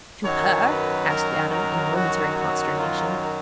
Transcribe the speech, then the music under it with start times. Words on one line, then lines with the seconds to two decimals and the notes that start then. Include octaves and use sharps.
"To her?" asked Adam, in momentary consternation.
0.24 F#2 D#3 F#3 C#5
0.66 B4
1.08 A#4
1.51 A#4
1.94 F#4
2.36 F#4
2.78 F4